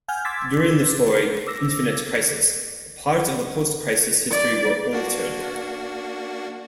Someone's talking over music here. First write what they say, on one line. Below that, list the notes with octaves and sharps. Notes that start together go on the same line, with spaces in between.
During the story "Infinite Crisis", parts of the Post-Crisis history were altered.
F#5 G#5 F6 G6
C6 D6 E6 G#6 A6 B6
C7
D6 E6 A#6
D5
A#3 D4 F#4